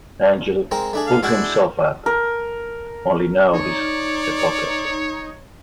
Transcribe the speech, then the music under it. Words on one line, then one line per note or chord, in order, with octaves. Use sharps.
Angel pulls himself up... only now he's a puppet.
G#3 C4 A#4
A3 D4 G#4
F5
G#3 D4 E4 F#4
A#4
D#4 C#5 D5